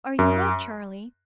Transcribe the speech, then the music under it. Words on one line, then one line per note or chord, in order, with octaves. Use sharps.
'Are you wet, Charlie?'
F#2